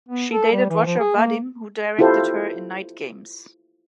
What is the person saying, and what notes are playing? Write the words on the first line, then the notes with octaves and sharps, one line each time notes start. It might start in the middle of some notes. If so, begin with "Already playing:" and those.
She dated Roger Vadim, who directed her in "Night Games".
B3
A4
G3
E3
F3
G#4
A#3
E4 F4 G4 A4 C5